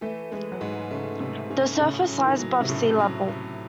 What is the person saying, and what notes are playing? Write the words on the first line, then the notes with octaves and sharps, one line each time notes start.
The surface lies at above sea level.
E3 A3
E3 G#3
F#3
G#2 G#3
C#3 A3
C3 A3
C#3 C#4
A2 C#3
F#3
E3
D#3
F#3
C3
A2 C#3
F#3
A2